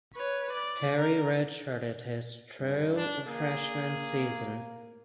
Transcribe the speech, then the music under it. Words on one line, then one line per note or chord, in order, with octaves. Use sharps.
Perry redshirted his true freshman season.
B4 C#5
D5
A#4
G2
D4
A#3 G#4